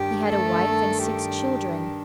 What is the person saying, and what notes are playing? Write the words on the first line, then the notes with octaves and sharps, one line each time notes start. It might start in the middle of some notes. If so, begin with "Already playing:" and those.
He had a wife and six children.
Already playing: G2 D#3 D4 G4
A3 A4
G4